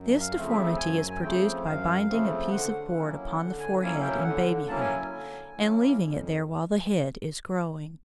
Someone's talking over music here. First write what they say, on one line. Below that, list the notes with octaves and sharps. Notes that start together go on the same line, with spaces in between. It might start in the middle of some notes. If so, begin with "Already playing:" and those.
This deformity is produced by binding a piece of board upon the forehead in babyhood and leaving it there while the head is growing.
Already playing: F#2
F5
C#3 F3 A3 C4
E5
F#2 G#5
G#5
C#3 F3 A3 C4 G5
F#2 F5
C#3 F3 A3 C4
D3 F#5
F#3 A#3 C#4 E4
D3 F#5
G#5
F#3 A#3 C#4 E4 G#5
G5
D3 F#5
F#3 A#3 C#4 E4 A5
G#5
D3
F#3 A#3 C#4 E4
F2